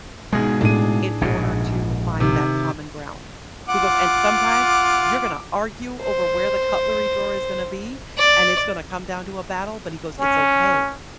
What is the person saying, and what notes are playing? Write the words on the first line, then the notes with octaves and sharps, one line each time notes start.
in order to find that common ground." He goes, "And sometimes, you're gonna argue over where the cutlery drawer is gonna be, and it's gonna come down to a battle," but he goes, "It's okay,
G#2 B2 G#3 G#4
A2 D4 D#4 G#4 D#7
A#1 G#2 B2
C3 D#3
F4 F#5 D6
C5
D5
C#4